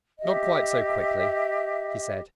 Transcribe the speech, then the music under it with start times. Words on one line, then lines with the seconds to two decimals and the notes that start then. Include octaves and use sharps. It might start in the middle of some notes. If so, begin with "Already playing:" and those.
"Not quite so quickly," he said.
0.19 G4 D#5 E5